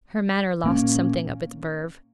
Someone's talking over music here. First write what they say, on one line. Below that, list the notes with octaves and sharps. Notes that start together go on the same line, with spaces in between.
Her manner lost something of its verve.
A#2 A#3 C#4